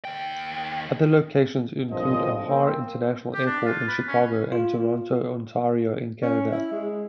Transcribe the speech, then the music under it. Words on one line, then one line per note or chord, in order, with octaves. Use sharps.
Other locations included O'Hare International Airport in Chicago and Toronto, Ontario in Canada.
D#2 G5
B1 G2 A#2 F3 C4 D#5
A#3 C4
G4
D4
F4
B4
C#4
F4
C#4
E4
G#3